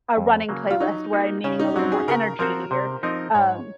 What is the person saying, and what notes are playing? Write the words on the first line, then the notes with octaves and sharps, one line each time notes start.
a running playlist where I'm needing a little more energy or, um
F2
C#3 F#3 A#3
F4
F#3 D#4
A#3 D#4 F#4
C#3 C#4
D#4
F#3 C4 F#4
G#4
C#3 A#4
F3 C4 F#4 A#4 C5
C3 C5
F3 C4 D#4 A#4 D#5
G#2 C#5